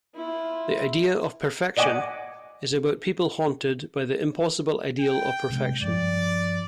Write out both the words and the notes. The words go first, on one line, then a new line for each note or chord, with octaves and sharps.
"The Idea of Perfection" is about people haunted by the impossible ideal of perfection.
E4 F4
D5 D#5 F#5 G#5 D6
G5
A2 C3 G#3
G2 F3 D5